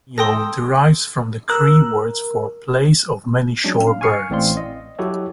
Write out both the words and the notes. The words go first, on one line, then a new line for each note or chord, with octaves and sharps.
Ma-Me-O derives from the Cree words for "place of many shore birds".
A4 G5 C6 D#6 A#6
A#4 E6 F#6
F#3 G#3 C#4 D4
F5
G#5 C#6 F6 C7 C#7
A1 A2 C4 D5 F5 C6
D#5
F#3 E4 F#4 G4 A4 C#5